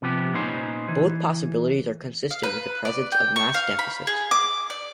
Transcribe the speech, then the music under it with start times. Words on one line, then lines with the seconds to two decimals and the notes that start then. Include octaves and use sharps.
Both possibilities are consistent with the presence of mass deficits.
0.02 C3 F3 B3 G4
0.33 A#2 B3 C#4 D#4 C5
0.88 E3
2.31 F5
2.43 B4
2.85 D5
3.12 G5
3.36 C#6
3.54 F5
3.79 B5
4.07 G#4
4.31 D6
4.70 D5